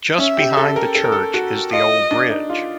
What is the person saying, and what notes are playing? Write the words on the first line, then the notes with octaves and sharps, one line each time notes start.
Just behind the church is the old bridge.
C#4 E5
G4
A4
A#4
A4
A#4
A4
F#4
F4 D#5
D4
D#4
F4